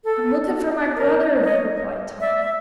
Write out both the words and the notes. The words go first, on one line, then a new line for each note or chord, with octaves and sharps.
"I'm looking for my brother," replied Tom.
A4
A#4
C#5 D#5
D5 E5
E5